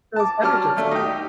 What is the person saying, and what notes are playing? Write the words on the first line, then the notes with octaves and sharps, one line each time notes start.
those beverages.
A5 D6
F#3 G3 C#4 A5 D6 F6
D#2 A3 D4
D#4 G4